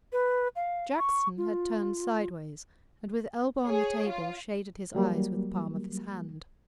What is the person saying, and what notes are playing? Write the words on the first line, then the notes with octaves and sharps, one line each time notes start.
Jackson had turned sideways, and with elbow on the table shaded his eyes with the palm of his hand.
B4
F5
C#6
F4
G#4 C#5
F4
F#3 G3 A#3